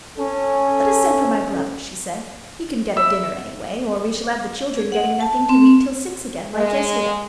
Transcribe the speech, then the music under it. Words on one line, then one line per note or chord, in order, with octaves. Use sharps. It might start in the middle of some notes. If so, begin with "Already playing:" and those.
"Let us send for my brother," she said; "he can get a dinner anyway, or we shall have the children getting nothing to eat till six again, like yesterday."
C#4 A4
E5
G#4
F#5
A5
C4
G#3